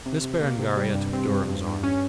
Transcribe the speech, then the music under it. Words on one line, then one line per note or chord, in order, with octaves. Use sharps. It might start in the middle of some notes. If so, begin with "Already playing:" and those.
Miss Berengaria took Durham's arm.
C3
C3
A#3
C3
G3
G2
C4
G2
G2
G2
C#4